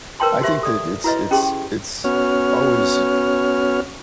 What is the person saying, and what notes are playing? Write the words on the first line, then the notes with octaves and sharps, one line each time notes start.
I think that it's it's it's always
A#4 B4 C#5 G5 A5 C6
F#4 G4 C5 E5 C6
A4 D5
E4 F#4 B4 C#5 D#5
C#4 G4 G#4 G5 C6
B3 C#4 F#4 C#5 F6